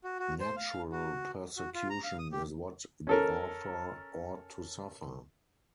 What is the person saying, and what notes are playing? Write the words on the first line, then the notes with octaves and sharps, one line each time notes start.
Natural persecution is what the author ought to suffer.
F#4
F#4
C5
F5
F#4
F#4
F4
A#5
F5
D#6
G4
C#4 A4 A#4